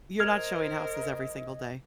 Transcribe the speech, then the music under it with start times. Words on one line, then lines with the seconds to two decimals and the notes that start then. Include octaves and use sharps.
You're not showing houses every single day.
0.20 A#4 C5 D#5 F6 G#6 F7